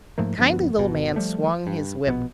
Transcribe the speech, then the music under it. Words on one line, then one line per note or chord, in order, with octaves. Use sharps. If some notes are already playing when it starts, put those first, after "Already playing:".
The kindly little man swung his whip.
G#2 F3 A3 A#3
D2 G2 F3 B3
G1 B2
F3 G3 A3
G2
A#1 B2 B3